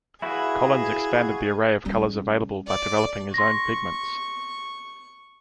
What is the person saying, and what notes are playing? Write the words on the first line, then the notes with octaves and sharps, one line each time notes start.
Collins expanded the array of colors available by developing his own pigments.
E4 F#4 G#4 B4 E5 F5
G3 C#4
D5
C6 C#6 A#6